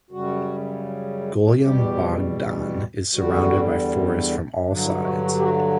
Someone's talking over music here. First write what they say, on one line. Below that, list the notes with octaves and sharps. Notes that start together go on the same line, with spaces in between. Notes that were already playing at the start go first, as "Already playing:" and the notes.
Golyam Bogdan is surrounded by forests from all sides.
F#2 C#3 G3 F#4
E2 B2 G3 G4
E2 D3 G3 F#4
G2 D3 F#3 D4
E4
F#4
F#4
G4
F#4